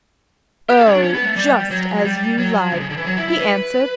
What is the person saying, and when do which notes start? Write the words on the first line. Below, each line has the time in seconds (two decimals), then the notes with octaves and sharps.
'Oh, just as you like,' he answered.
0.70 G4
0.79 A4
0.87 C#4
0.94 D4
1.03 C#4
1.14 B3
1.25 A3
1.36 G3
1.71 F#3
2.05 G3
2.38 F#3
2.72 D3
2.81 C#3
2.90 D3
2.97 E3
3.06 F#3
3.17 E4
3.28 E4
3.40 B4